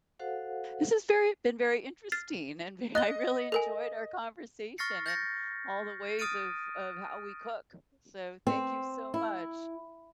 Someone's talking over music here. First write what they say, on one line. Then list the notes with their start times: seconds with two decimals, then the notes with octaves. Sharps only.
This has very been very interesting, and ve I really enjoyed our conversation, and all the ways of of how we cook, so, thank you so much.
0.19 F#4 A4 C5 F5 F#5
2.12 F6 A6 C7
2.95 D#5 F#6 A6 G7
3.52 A4 A#4 G#5
4.78 C#6 F6 A6 A#6 C7 C#7
5.06 G6 A6 A#6 C#7
6.19 D#6 F6 A6 D7 D#7
8.47 C4
9.14 E4